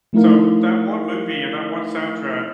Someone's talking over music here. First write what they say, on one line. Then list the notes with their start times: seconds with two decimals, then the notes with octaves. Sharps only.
So that one movie and that one soundtrack
0.13 F3 A3 D#4 E4 A#4 F5